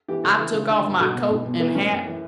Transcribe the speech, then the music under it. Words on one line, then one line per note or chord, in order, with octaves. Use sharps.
I took off my coat and hat.
E3 G4
C#3 A4
E3 A4
C#3
D3 A4
G2
B1 F#4
B2
B1
B2
E3 B3
A2 C#4
F#2
E3